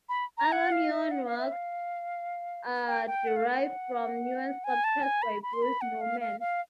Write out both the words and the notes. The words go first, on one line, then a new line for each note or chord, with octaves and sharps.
Other neon works are derived from neon sculptures by Bruce Nauman.
B5
A#5
F#5
F5
E5
F#5
F5
E5
F5
G5
G5
F#5
F5
F#5
G#5
A5
G#5
B5
B5
C6
B5
F#5
F5
F5
F5